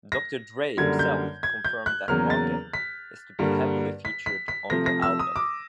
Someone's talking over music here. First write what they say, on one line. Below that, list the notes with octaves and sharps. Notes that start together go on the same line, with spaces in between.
Doctor Dre himself confirmed that Martin is to be heavily featured on the album.
A#6
F#2 D3 G3 A#3 G#6
G6
G#6
G6
F#6
E2 C#3 F#3 A#3 F6
A6
B6
G2 D3 G3 A#3
B6
B6
B6
C3 F3 A3 A#6
A#6
E6
D#6
D6